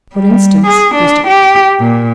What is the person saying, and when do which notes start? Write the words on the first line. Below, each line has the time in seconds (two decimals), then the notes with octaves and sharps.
For instance--Mr.
0.14 G3
0.67 G#4
0.95 D4
1.27 G4
1.80 A#2